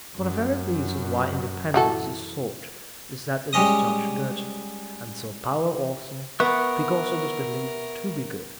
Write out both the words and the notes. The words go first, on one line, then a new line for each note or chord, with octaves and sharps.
For the very reason why independence is sought is that it is judged good, and so power also, because it is believed to be good.
F#2
E3 F#4 A4
G3 G#3 C#4 D#5 D#6
B3 A#4 E5 C#6 F#6